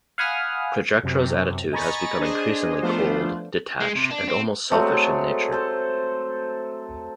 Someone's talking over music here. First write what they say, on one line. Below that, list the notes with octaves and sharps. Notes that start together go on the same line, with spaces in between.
Projectra's attitude has become increasingly cold, detached, and almost selfish in nature.
F5 F#5 G#5 B5 D#6 F6
F#2 C3
D#5 G#5 A#5 B5 C#6 A6
D4 G#4 C5 D#5 G#5
F3 A3 B3 D4 F4 C5
G#3
C3
D4
C4
F#3 G#3 A3 C4
A4 C5